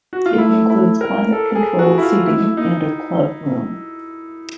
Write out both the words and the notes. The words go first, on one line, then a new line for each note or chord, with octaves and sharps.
It includes climate-controlled seating and a club room.
F#4
A#3 F4
A3 E4
E4
A#4
A4
A4
G#4
F#4
E4
F4
A3 E4
G#3
A3
A#3 D#4